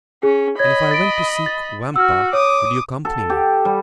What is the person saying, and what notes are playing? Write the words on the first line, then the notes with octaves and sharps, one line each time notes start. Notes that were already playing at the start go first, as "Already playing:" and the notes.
"And if I went to seek Vampa, would you accompany me?"
C#4 G#4
C#5 D#5 B5 G#6
A6 D7
A6
F#4 E6 F6
C#5 D6 D#6
A4
G4
G3